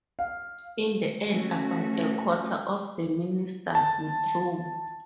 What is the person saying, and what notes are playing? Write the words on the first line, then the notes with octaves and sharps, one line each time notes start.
In the end, about a quarter of the ministers withdrew.
F5
A3 C#4 F#4
A5